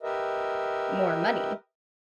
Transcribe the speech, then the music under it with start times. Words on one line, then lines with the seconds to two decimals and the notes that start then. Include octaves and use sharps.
more money.
0.02 G4 A#4 B4 D#5 E5